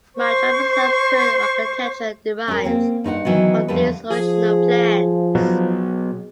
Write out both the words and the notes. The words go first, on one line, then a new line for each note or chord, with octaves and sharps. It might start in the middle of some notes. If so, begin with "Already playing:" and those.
Much of the site's current architecture derives from these original plans.
C5 C#6
C#4 A#4
A#3 C4 C#4
G2 D#4 B4 F#5
D#3 E3 F#3 B3
E2 D3 F3 G3 B4
F3 G#4
B2 F#3